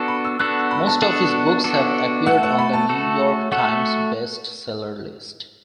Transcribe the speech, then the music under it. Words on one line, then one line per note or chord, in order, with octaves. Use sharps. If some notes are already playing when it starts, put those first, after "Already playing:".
Most of his books have appeared on the "New York Times" Best Seller List.
Already playing: B3 D4 F#4 A4
B5
E6
B3 D4 F#4 A4 F#6
B5
A5
B3 D4 F#4 A4
B3 D4 F#4 A4
A3 F#4 A4 F#5
F#5
B5
A5
A3 F#4 A4
A3 F#4 A4 F#5